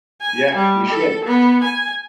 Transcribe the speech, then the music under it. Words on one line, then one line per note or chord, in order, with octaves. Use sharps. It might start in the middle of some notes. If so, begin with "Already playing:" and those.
Yeah, you should.
G#5
G3
A4
B3
G#5